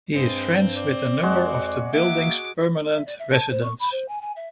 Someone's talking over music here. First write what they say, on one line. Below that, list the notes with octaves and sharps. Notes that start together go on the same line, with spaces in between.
He is friends with a number of the building's permanent residents.
G2 G#3 C4
D5
F2 G#3 F#4
A#3 E5 D6
E5
D5
E5
A5
C5
C#6
B5
C5
G#5
G#5
E5